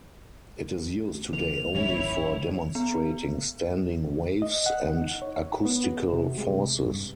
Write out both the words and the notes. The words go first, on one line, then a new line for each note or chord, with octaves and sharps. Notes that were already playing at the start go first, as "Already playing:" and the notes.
It is used today only for demonstrating standing waves and acoustical forces.
C#2 E3 A#3 F7
D1 G#1 F#2 D#3 F#3 C#4 E4 C#5
B3
D#5
F#5
D#4
C#5
B3
F#4
C3
G#3
C3
G2